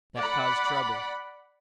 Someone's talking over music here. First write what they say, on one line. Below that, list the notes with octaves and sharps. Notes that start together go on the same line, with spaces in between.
That caused trouble.
D5 F#5 B5